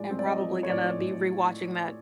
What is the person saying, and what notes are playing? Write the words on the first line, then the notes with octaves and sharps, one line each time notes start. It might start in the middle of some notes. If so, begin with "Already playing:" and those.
am probably gonna be rewatching that
Already playing: A2 F3 G#3 D5
C4
D5
D#5
F3
C#5
A2 D5
A2